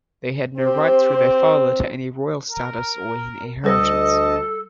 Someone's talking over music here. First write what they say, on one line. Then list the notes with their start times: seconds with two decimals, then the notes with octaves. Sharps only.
They had no rights through their father to any royal status or inheritance.
0.57 C4 G4 C5
2.49 A#4
3.64 D2 G3 A4 B4 D#5 A5